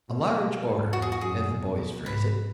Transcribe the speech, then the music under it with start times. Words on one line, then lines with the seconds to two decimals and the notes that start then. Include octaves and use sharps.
A large order, as the boys phrase it!
0.09 B2
0.65 G#2
0.93 E2 F#4
1.02 G#4
1.12 F#4
1.21 F#2 G#4
1.49 B2
2.06 G#2 B4